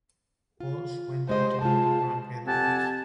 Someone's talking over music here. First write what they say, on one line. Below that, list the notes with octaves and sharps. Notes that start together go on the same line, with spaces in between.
Walsh went on to marry Frank Edwards.
F4
G#3 G4 C5 D#5
G#3 F4 A5
F2 C4 G4 F#5 G#5 A5